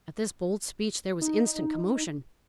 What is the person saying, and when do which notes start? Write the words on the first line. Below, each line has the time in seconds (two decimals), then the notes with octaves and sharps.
At this bold speech there was instant commotion.
1.22 D#4